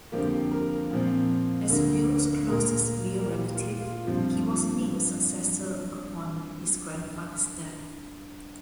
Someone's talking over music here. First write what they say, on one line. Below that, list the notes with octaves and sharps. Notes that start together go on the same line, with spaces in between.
As Leo's closest male relative, he was named successor upon his grandfather's death.
F2 D3 F3 A#3 G4
A#4
A#2 F3 C4
D2 D3 A#3
A#2 A#3 A#4
A#4
A#2 A#3 G4
F4
F4
G2 F3 C4 F4